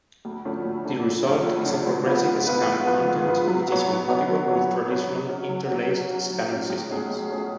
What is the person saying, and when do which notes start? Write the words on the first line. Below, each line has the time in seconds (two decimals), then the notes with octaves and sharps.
The result is a progressive-scan content, which is compatible with traditional interlaced scanning systems.
0.25 D2
0.45 D3 F3 A3 C#4
0.65 D2
0.85 D3 F3 A3 C#4
1.06 D2
1.26 D3 F3 A3 C#4
1.46 D2
1.66 D3 F3 A3 C#4
1.86 G#2
2.06 F3 B3 F4 B4
2.27 G#2
2.47 F3 B3 F4 B4
2.67 G#2
2.87 F3 B3 F4 B4
3.07 G#2
3.27 F3 B3 F4 B4
3.47 F#3
3.68 B3 F#4 C#5
3.88 F#3
4.08 B3 F#4 C#5
4.28 F#3
4.48 B3 F#4 C#5
4.68 F#3
4.89 B3 F#4 C#5
5.09 F#3
5.29 C#4 F#4
5.49 F#3
5.69 C#4 F#4
5.89 F#3
6.09 C#4 F#4
6.30 F#3
6.50 C#4 F#4
6.70 C#2
6.91 B2 A3 C#4 G#4
7.10 C#2
7.30 B2 A3 C#4 G#4